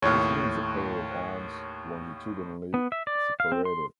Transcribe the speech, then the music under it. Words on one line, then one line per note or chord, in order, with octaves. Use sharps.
This needs a pair of arms longitudinally separated.
D#2 A2 C#5 F5 F#5
B3
E5
D5
F5
C4
C6